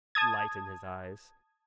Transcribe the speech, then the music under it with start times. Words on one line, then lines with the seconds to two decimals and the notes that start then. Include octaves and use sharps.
Light in his eyes.
0.15 A5 D#6 G#6